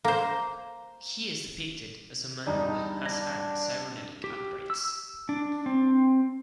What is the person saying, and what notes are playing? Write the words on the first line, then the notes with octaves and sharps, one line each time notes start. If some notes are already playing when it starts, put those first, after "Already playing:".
He is depicted as a man who has had cybernetic upgrades.
A#3 C5
E2 G2 G3 D#4 D5 A5 A#5
D4 G#6 A#6
G4
E6
D4
C4